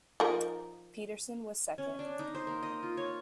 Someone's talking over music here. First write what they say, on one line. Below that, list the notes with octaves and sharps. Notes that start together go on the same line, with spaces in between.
Peterson was second.
F3 D#4 A#4
C#4
D4
D#4
C5
A#3
D#5
F4
C#5